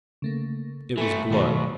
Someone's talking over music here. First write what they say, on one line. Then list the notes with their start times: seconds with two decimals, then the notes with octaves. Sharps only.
It was blood.
0.22 C#3 A3 A#3
0.98 E3 A3 A4
1.30 B1 B2 D#3 A3 F#4